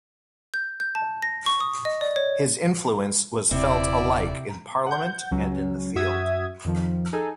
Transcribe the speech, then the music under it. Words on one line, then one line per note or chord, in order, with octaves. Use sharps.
His influence was felt alike in parliament and in the field.
G6
G6
A5
A#6
C#6
D#6
D#5
D5
C#5
D#1 C3 E4 D5
F#5 G6
C#2 F#3 C#4
F#2 F#4 E5 D#6 G#6
F2 D#3 F3
D#4 G#4 A4 G#5